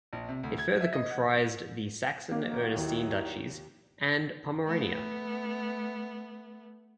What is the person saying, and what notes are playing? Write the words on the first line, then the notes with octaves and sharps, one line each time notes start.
It further comprised the Saxon Ernestine duchies and Pomerania.
A#1
C3
D2
G#6
E5
D#5
F#5
D#3 F#3 A#3
D#2 E4
A3 B3